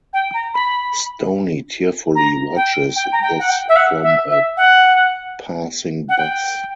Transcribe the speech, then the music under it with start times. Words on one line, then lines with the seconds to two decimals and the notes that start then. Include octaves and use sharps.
Stoney tearfully watches this from a passing bus.
0.13 G5
0.34 A#5
0.54 B5
2.15 A#5
2.56 G5
2.96 G5
3.12 A#5
3.22 G5
3.39 F#5
3.49 G5
3.69 E5
3.76 F#5
4.03 E5
4.30 E5
4.57 F#5
6.09 F#5
6.18 G5